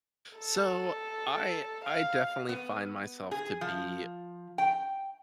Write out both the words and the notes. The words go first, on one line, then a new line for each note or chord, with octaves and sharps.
So I I definitely find myself to be
A4
F5
B3
G#4
F3
G5